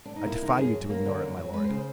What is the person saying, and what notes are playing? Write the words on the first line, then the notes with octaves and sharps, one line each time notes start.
"I defy you to ignore it, my lord."
D4
D#4
A#3 E4
D3 D#4
F#2 G#4
F#3
A#3
D3
F#2
F#3
G#3 B4
C5
C#3
C5